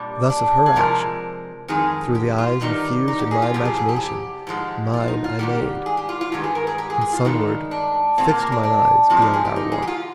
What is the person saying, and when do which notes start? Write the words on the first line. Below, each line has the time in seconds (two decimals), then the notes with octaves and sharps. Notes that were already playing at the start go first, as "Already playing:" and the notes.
Thus of her action, through the eyes infused In my imagination, mine I made, And sunward fixed mine eyes beyond our wont.
Already playing: A#2 G3 D4
0.30 D4
0.66 G#4
0.76 C3 F3 G#3 A#4
1.68 F2 D#3 G#3 G#4
2.15 G4
2.38 F4
2.61 G2 D#3 G3 D#4
3.08 D#4
3.19 G4
3.31 G#4
3.42 F4
3.54 F2 C3 G3 G4
3.65 G#4
3.77 G#4
3.89 G4
3.96 G#4
4.03 G4
4.47 G#2 F3 G#3
4.94 F4
5.08 D#4
5.24 F4
5.39 G#2 D#3 G3 G4
5.86 G#4
5.97 G4
6.09 F4
6.21 F4
6.32 G2 D#3 G#3 G4
6.44 G#4
6.55 A#4
6.67 G#4
6.78 G4
6.90 G#4
7.01 G#4
7.13 F4
7.25 G2 D#3 G#3 D#4
7.71 D4
8.18 A#2 G#3 C4
8.29 A#3
8.40 A#3
8.52 D4
8.63 D4
9.10 A#2 F3 G#3 C4
9.17 D4
9.22 D#4
9.33 G#4
9.45 G4
9.56 D#4
9.72 G#4
9.82 G4
9.87 F4